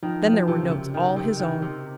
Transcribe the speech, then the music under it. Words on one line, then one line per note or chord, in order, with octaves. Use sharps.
Then there were notes all his own.
D#3 F3
D#3
F3
C3
C#3
C3
D#3
C3
D#3
C3